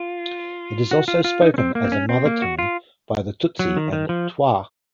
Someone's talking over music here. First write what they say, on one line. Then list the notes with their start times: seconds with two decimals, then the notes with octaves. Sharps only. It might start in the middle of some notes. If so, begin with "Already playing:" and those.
It is also spoken as a mother tongue by the Tutsi and Twa.
Already playing: F4
0.91 F#4
1.08 F4
1.24 F4
1.42 D#4
1.54 C#4
1.58 C4
1.75 A#3
1.84 C4
1.92 C#4
2.09 C4
2.26 A#3
2.42 F#4
2.59 F4
3.59 F#3
3.77 D#3
3.93 D#3
4.09 F3